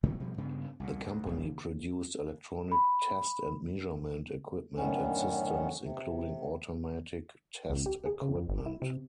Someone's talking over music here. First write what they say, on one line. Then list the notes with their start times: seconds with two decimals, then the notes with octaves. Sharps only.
The company produced electronic test and measurement equipment and systems, including automatic test equipment.
0.03 A#2 D#3 F#3 A3
0.19 G2 B2 F3 G3
0.38 G2 C#3 B3 D4
0.80 C2 A#2
1.05 D2
1.26 E1 A#1
2.72 B5
4.77 F#2 A2 D3 D#3 B3 C#4
5.84 C3
7.70 C#2
7.86 G4
8.06 G#4
8.22 C#3
8.35 F2
8.49 G1
8.66 E4
8.82 C3